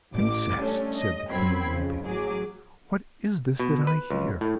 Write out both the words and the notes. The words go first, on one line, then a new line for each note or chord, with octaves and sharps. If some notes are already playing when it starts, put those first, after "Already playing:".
Princess," said the Queen, weeping, "what is this that I hear?
A1 D6
G3 A3 C#4 D4
D#5
F#2 F#3 C4 B5 G#6 C7
F2 C#3
A1 F#3 G#4 D6
B2
B4
C#2
A2